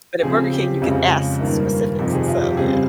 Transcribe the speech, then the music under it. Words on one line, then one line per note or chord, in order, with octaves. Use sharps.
But at Burger King, you could ask specifics, so yeah.
G4
C#3 F3 C4 G#4
G4
F2 C#3 G#3 F4
G2 D#3 A#3
F2 C3 F3 G4
G#4
F4
G4
C#3 G3 C4 G#4